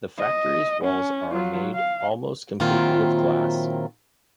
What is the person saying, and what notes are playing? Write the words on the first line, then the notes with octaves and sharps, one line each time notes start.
The factory's walls are made almost completely of glass.
D#5
C#4
F#3 F4
F5
A#2 D#3 F#3 C4 E4 F4